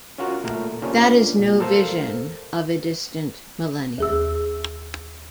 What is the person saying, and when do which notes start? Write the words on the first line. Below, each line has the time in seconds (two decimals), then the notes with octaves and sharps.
That is no vision of a distant millennium.
0.18 C#4 F4 F#4 A#4
0.44 A#2 A3 A#4
0.82 C3 A#3 C#4 D4 F4
1.39 A#2 G3
1.60 A4 A#4 C5 F5
3.98 D#2 G#4 E6